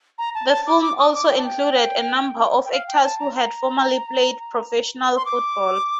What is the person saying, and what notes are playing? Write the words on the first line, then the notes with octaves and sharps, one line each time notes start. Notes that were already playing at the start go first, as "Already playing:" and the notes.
The film also included a number of actors who had formerly played professional football.
A#5
A5
A5
D6
D6
D#6
D6
G5
A5
G5
G5
F5
G5
A5
A#5
A#5
C6
D6